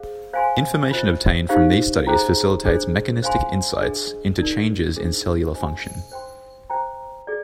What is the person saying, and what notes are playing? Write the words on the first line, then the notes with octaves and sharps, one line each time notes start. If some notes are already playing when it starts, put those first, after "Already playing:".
Information obtained from these studies facilitates mechanistic insights into changes in cellular function.
Already playing: G#4 C5 F5
C5 F5 G#5 C6
F4 C5 D#5
D#4 G4 C5 F5
G#4 C5 G5 A#5
D4 G#4 C5
C5 F5 G#5 C6
D4 G#4 D#5
D#4 A#4 D5
D4 G#4 C5
C5 D#5 G#5
C5 G5 C6
C5 G5 A#5
G#4 D5